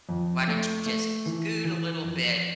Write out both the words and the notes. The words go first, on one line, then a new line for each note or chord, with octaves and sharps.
Why don't you just scoot a little bit
F2
A3
A3
E3
E3
F2